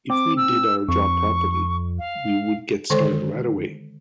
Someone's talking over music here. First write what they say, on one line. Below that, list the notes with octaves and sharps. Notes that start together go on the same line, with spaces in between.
If we did our job properly, we would get started right away.
C4 D6
E6
F2 C#6
F5
D3 D#3 G#3 A4 C5 C#6